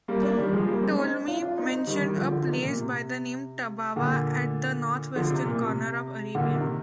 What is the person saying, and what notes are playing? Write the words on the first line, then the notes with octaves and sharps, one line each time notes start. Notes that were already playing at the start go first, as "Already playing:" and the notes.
Ptolemy mentioned a place by the name 'Tabawa', at the northwestern corner of Arabia.
G3 A#3
A#3 D4
D#3 G3
F3 G#3
G3 A#3
G#3 C4
C4 D#4
D4 F4
D4 F4
C4 D#4
C4 D#4
D#3 G3
D#3 G3
D3 F3
D3 F3
C3 D#3
A#2
C3
A#2 D3
D3 F3
C3
A#2
C3
A#2 D3
C3 D#3